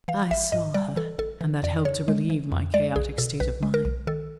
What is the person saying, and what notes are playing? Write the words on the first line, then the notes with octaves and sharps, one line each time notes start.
I saw her, and that helped to relieve my chaotic state of mind.
E3 F5
A1 E5
G#2 D#5
G3 D5
E3 A4
A1 A4
E3
F2 D5
C#3 C#5
G#3
E3
F2
G#3 D5
B1 G#4
B2 A4
B1 B4
G#3
A#4
B1
D#3 A4